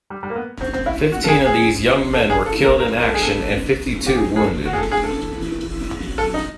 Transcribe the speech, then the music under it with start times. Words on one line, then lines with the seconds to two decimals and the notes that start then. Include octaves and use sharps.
Fifteen of these young men were killed in action and fifty-two wounded.
0.10 G3
0.23 G3
0.30 A#3
0.36 B3
0.61 C4
0.73 C4
0.86 E4
1.12 F#4
1.24 A4
1.28 G#4
1.46 G#4
2.13 A4
2.30 G#4
2.46 A4
2.64 A#4
2.80 A#4
2.97 A#4
3.06 A4
3.14 G#4
3.23 A4
4.06 G4
4.16 G#4
4.36 G#4
4.40 A4
4.66 F#4
4.73 G#4
4.78 A4
4.92 G#4
5.04 A4
6.18 A4
6.34 D#4